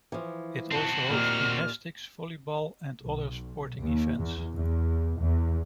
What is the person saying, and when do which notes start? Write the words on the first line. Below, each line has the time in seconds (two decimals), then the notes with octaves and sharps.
It also hosts gymnastics, volleyball, and other sporting events.
0.12 E3 F3
0.71 C4 F#4 A5
1.10 D#2 A#2 F6
3.03 B1
3.80 D#2
4.19 E2
4.55 E2
5.19 E2